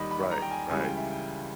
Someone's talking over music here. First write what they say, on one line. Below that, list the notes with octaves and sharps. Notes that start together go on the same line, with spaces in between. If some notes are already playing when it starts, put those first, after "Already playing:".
Right, right.
Already playing: D#2 D#3 G3 D#5 B5
B5
A#5
G5
G#5
C#2 C#3 E3 G3 G#5
G5
E5
G5